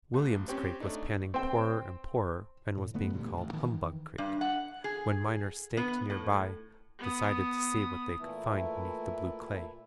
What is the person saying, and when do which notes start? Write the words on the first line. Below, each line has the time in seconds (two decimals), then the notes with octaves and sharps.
William's Creek was panning poorer and poorer and was being called 'Humbug Creek,' when miners staked near by decided to see what they could find beneath the blue clay.
0.14 A1
0.48 C4 C#4 G4
0.80 A3 D4 D#4
1.34 C4 G5
2.78 A2
2.94 E1 D3 A3 B3
3.13 A1 D2 G2 A#2
3.37 A1
3.53 D#3 E3
4.18 G2
4.41 F#5
4.84 G#4
5.77 B3
6.10 A2
6.99 B3 D#6
8.20 A#2 E3 A3 E4